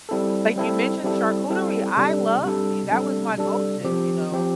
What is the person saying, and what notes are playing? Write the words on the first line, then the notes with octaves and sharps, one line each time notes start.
like you mentioned charcuterie, I loved that was my go-to, you know,
G3 C4 E4 A4
G3 C4 E4 A4
G3 C4 E4 A4
G3 C4 E4 A4
C3 G3 D4 A4
C3 G3 D4 A4
C3 G3 D4 A4
C3 G3 D4 A4
F3 C4 G4
F3 C4 G4